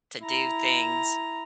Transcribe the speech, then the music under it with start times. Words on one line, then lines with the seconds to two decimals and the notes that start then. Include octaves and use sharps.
to do things,
0.22 E4 A#5